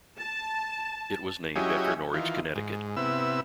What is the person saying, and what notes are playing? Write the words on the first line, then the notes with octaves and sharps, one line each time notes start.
It was named after Norwich, Connecticut.
A5
F#3 C#4 E4 G4 G#4 D#5
D#3 E3 F4
G#2
C3 B3 E4 E6